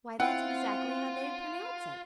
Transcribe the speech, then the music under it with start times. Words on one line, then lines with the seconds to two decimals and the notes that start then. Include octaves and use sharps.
"Why, that's exactly how they'd pronounce it!"
0.20 C4 E4 F4 F#5 G5